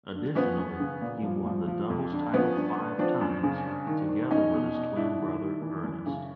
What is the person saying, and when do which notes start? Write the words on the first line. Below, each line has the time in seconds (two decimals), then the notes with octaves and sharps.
Additionally he won the doubles title five times together with his twin brother Ernest.
0.14 D3
0.35 F3 B3 C#4
0.58 F#2
0.79 C#3
1.01 A#2
1.23 F3
1.46 F3
1.67 F3
1.90 F2
2.12 D3
2.33 F3 B3 C#4
2.55 G2
2.77 D3
2.99 F3 C4 D4
3.21 F#2
3.43 C#3
3.65 G2
3.87 D#3
4.08 D#3
4.31 E2 C#4 D#4
4.53 B2
4.74 B2
4.96 G#2 D4 E4
5.18 D#3
5.41 D#3
5.62 E3
5.84 F#2
6.06 C#3